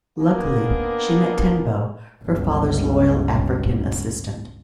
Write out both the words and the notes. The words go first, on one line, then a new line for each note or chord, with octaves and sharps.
Luckily, she meets Tenbo, her father's loyal African assistant.
A#3 B3 D4 G#4 A#4
G1 C#2